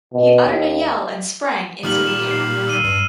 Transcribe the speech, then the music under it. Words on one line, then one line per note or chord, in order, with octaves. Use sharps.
He uttered a yell and sprang into the air.
B2
D#2
A#2 D#3 G3 D#6 F6 F#7
E7
C7
E6 D#7
G2